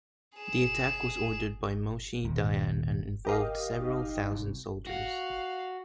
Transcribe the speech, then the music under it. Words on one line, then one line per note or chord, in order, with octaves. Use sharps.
The attack was ordered by Moshe Dayan and involved several thousand soldiers.
G#4 E7
D#1
G4 A#4 D#5 F5
D#4
C2
F#4 F5